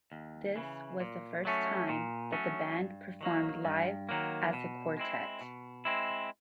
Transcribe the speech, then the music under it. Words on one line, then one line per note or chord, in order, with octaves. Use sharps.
This was the first time that the band performed live as a quartet.
D#2
C#3 E3
A#2
F#3 A3 C#4
A#2
F#3 A3 C#4
G2
D#3 F#3 A#3
G2
D#3 F#3 A#3
B2
G#3 C4 E4
B2
G#3 C4 E4